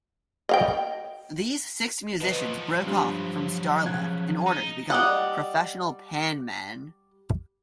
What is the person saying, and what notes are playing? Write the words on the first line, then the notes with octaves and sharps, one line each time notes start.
These six musicians broke off from Starlift in order to become professional panmen.
D#5 F5 G5
F3 F#3 B4 D#5
G2 G3 C6
C#3 F#6 G#6
D#4
G3 D#5 F#5